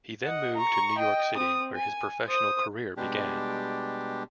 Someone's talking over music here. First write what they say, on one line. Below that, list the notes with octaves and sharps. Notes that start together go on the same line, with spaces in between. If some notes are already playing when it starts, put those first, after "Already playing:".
He then moved to New York City where his professional career began.
D#5 F#5
A#5 C#6
D#5 G5
C4 D#6
G#5
C5 D#6
B2 G3 G#3 D4 G4